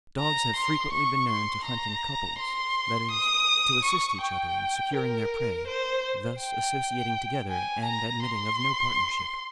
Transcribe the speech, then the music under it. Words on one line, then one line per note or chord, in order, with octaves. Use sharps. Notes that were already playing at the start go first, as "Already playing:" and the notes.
Dogs have frequently been known to hunt in couples; that is, to assist each other in securing their prey: thus associating together and admitting of no partnership.
A#5
C6
C#6
C6
A#5
C6
D#6
C#6
G5
A#4
C5
G5
G#5
A#5
C6